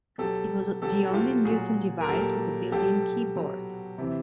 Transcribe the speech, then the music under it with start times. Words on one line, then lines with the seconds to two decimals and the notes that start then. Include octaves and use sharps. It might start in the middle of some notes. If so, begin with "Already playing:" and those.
It was the only Newton Device with a built-in keyboard.
0.18 B2 F#3 G4 A4
0.82 B2 F#3 G4 A4
1.07 F#4
1.13 F4 G4
1.45 A#2 F#3 F#4 G#4
2.01 A#4
2.08 A#2 F#3 G4 A4
2.72 B2 F#3 G4 A4
3.35 B2 F#3
3.98 C3 E3